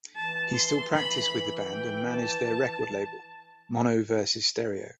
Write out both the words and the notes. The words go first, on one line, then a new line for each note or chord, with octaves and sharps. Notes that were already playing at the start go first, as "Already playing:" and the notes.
He still practiced with the band and managed their record label, Mono Vs Stereo.
E3 A5
C6
B5
G5
A5